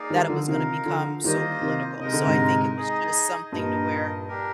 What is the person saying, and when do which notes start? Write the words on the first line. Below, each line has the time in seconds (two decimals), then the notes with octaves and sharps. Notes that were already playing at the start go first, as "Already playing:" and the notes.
that it was gonna become so political. So I think it was just something to where,
Already playing: A#3 D#4 G#4 D5 F5
0.10 D#3 G3
0.28 D3 F3
0.48 C3 D#3 D#4 A#4 F5
0.85 D3 F3
1.24 D#3 G3 A#3 F4 C5 D#5
1.62 C3 D#3
2.00 C3 G#3 D#4 A#4 D#5
2.13 D3
2.25 G#2 C3
2.76 D#4 G#4 D#5
3.52 G2 A#2 D#4 A#4 D#5
4.28 D4 G4 A#4